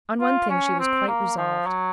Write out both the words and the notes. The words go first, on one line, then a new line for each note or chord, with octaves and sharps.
On one thing she was quite resolved.
F4
C#4
C4
A#3
F3
F#3